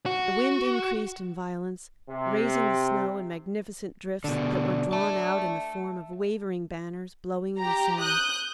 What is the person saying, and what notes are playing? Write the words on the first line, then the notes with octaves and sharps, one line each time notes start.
The wind increased in violence, raising the snow in magnificent drifts that were drawn out in the form of wavering banners blowing in the sun.
F#4
C3
B2 D3 D4
E5 A5
G4 A#5
D#6 F#6 G6